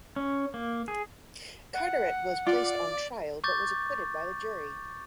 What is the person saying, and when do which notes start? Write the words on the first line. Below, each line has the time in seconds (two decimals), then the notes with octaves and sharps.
Carteret was placed on trial, but was acquitted by the jury.
0.16 C#4
0.54 A#3
0.88 G#4
1.74 F#5
2.47 F4 D5
3.44 C#6 D6 G6 A6